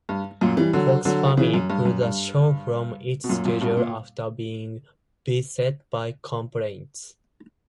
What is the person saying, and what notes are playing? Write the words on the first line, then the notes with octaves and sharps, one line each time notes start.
Fox Family pulled the show from its schedule after being beset by complaints.
G2
F#2 A#2
E3 G3
D3 F#3
D3 F#3
C#3 E3
F#2
G2
F#2
G2
B2
F#2 A#2
F#2 A#2
G2 B2
A#2